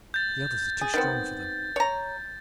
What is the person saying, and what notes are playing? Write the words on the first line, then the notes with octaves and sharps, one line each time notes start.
The others are too strong for them.
G6 A6
G#4
D#3 B3 C4 A6
C#5 A#5